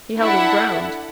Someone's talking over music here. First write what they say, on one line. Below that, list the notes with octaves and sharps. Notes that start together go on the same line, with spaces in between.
He held his ground.
D4 E4 A4 E5 F#5